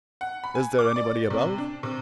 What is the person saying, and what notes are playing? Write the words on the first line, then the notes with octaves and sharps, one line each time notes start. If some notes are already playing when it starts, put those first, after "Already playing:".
"Is there anybody above?"
F#5
B5
G#5
D6
D5
C3
D4
C3